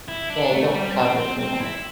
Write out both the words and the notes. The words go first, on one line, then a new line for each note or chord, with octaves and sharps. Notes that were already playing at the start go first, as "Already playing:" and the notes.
Yeah, you don't recover from that.
E4
D4
A3
G3
C4
C4
C4
E4